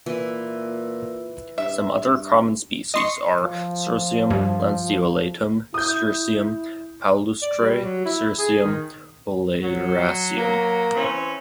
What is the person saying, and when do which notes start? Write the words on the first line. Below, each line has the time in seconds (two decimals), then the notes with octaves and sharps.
Some other common species are: "Cirsium lanceolatum, Cirsium palustre, Cirsium oleraceum".
0.06 A#2 E3
1.58 G2 E5
2.94 D#5 C6 C#6
3.43 F3
4.30 G2
5.74 E4 D#6 G6
7.42 D5
7.58 G3
7.84 F#3
8.06 E4
8.39 G#4
8.64 D#3
9.63 F#3
10.37 A#3
10.94 E3 C4 C#4